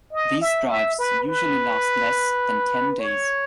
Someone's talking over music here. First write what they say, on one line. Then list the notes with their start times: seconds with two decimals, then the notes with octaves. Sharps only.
These drives usually last less than ten days.
0.12 D#5
0.41 E5
0.69 E5
0.98 B4
1.27 B4
2.99 C#5